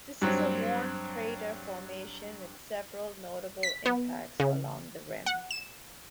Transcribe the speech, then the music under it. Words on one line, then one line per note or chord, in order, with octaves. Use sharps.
This is a worn crater formation with several notable impacts along the rim.
G2 F#3 C4
B6
B3
C#3
F#5
E7